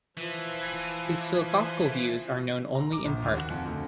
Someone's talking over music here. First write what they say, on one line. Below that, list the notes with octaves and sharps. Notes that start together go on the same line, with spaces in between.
His philosophical views are known only in part.
E3 F3
A#5
D6
A#1
D#2
F#4
F2
D2